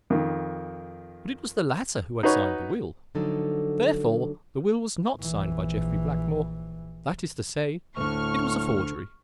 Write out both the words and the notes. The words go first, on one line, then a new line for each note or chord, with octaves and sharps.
But it was the latter who had signed the will. Therefore the will was not signed by Jeffrey Blackmore; that is to say, it was a forgery.
F2 D#3
D#4 F#4 B4 C#5
D3 F3 F#3 D#4 A4
A#1 E3
D2 A2 D3 C#6 F6